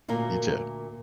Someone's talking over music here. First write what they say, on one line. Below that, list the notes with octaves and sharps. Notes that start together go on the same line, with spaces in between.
You too.
D2 A#2 A#3 A#4